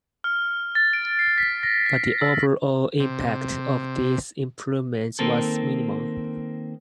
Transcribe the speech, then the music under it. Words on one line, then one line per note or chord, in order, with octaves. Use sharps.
But the overall impact of these improvements was minimal.
F6
A6
D7
C7
B6
A#6
B6
E6
C3
D#3 A#3 C4 A4